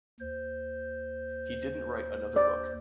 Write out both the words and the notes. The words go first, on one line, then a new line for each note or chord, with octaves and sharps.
He didn't write another book.
D#2 C5 G6
D5